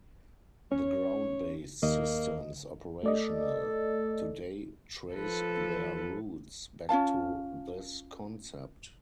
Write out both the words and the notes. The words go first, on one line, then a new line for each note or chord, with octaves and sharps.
The ground-based systems operational today trace their roots back to this concept.
C#4 C#5
D#2 A#3 D#5
A3 A4 D5 D#5
F3 A4 B4
C#4 F4 F5 A5